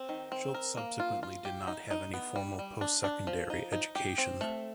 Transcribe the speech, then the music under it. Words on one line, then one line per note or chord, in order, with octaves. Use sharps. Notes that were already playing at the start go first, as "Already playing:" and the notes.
Schultz subsequently did not have any formal post-secondary education.
Already playing: C4
D#3
C4
A#4
A#3
F4
F4
G4
D#4
D#4
B3
G3
G3
D4
D4
F3
D#4
D#4
G4
C4
A3